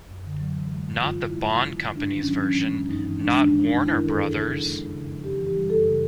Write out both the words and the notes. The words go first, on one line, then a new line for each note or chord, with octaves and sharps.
Not the bond company's version, not Warner Brothers'.
F#2
D3
F#3
E3
G#3
G2
G2 F4
E3
E4
G#3
D#3
F#3
G#2
G#2 D4
D#3
C#4
F#3
E3 C#4
G#3
G2
G2 D#4
E3 D#4
G#3 D4
D#3 D4
G#3
D#4
F#2
F#2 E4
A#4
D#3
A4
G#3 G#4
C#3
F3
G#3
F2
C#3
F3
C#3 G4
E3
G4
G3
F#2 A4
C#3